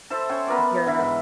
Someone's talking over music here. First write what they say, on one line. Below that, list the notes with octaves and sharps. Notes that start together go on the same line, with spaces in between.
n you're
A4 C5 E5 A5
C#4 C#5 G5 C6
B3 A#4 B4 D5
D3 E3 E4
G#2